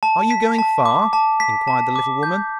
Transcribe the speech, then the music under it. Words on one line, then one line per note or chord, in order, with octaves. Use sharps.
Are you going far?' inquired the little woman.
A5
B6
A5
D6
A5
B6
A5
D6
G6